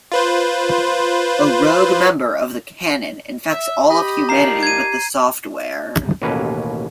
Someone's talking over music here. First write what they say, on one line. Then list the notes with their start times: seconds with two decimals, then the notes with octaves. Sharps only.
A rogue member of the Canon infects all of humanity with the software.
0.12 F4 B4 C5
3.51 E5
3.89 G4 D#5 B5
4.29 D#3 D4 F4 A#5 C7
4.63 G#6 D#7
6.22 A1 D#2 B2 A#3 C#4 B4